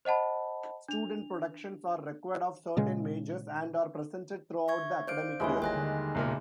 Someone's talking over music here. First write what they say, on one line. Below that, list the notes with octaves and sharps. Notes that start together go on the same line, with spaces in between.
Student productions are required of certain majors, and are presented throughout the academic year.
C5 D#5 F#5 A5 B5
D4 F7
A#2 C#3 G#3
E5 C#6 G#6
C5 D5 F5 G6 D7
D#2 E3 G3 G#3 F4 C#5
G1 D#3 G#5 F#6 A#6
D3
E1 A#2 C#3 A#4